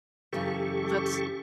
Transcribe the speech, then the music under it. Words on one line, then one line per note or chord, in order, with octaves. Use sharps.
Well that's
F#2 C#3 E3 G4 A4 C#6